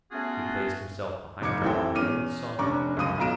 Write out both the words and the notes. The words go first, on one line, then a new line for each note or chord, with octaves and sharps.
He placed himself behind her, and no one saw him.
A3 B3 C#4 F4 F#4 G#4
F#1 D#4 D6 G#6 C#7
A1 E3 C4 E4 A4 G5
E2 C#4 D6 F6 D#7
F1 C#4 D4 A#5 C#6 D6
C#2 F#2 D#6 D#7
B1 F#3 F4 A#5 D7 E7